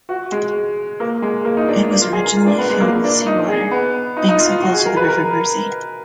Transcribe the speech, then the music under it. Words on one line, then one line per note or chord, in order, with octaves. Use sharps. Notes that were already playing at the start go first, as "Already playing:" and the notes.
It was originally filled with sea water, being so close to the River Mersey.
F#4
G#3
A#3
G#3
A#3
D#4
D4
D4
F4
G#4
A#4
F4
D4
B3
G#3
A#3
D4
D#4
G#4
B3
D#4
D#4
F4
F4
F#4
G#4
A#4
B4
A#4